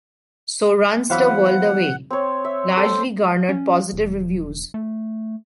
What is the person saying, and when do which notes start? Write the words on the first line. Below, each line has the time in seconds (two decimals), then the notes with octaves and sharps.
"So Runs the World Away" largely garnered positive reviews.
1.10 E3 F#3 B3 C5 F5 F#5 B5
2.10 C4 C#5
2.45 E5
2.77 A4 C5
3.49 C#4
3.93 E1
4.74 A3